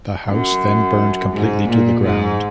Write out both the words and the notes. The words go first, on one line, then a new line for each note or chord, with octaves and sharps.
The house then burned completely to the ground.
F#2
G#2
A#2
G#2